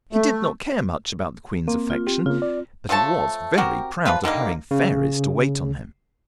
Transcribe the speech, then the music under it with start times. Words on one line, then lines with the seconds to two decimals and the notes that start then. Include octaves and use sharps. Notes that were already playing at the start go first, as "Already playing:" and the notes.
He did not care much about the Queen's affection, but he was very proud of having fairies to wait on him.
0.13 A3
1.68 A#3 C4
1.90 F4
2.07 C4 G4
2.26 C#3 A#3 F4
2.42 D5
2.89 F3 A3 C#5 A5
3.57 C4 F#4 G4 A#4
4.05 F3 G3 F4 B4
4.24 D3 D#3 G3 A#3
4.71 C#3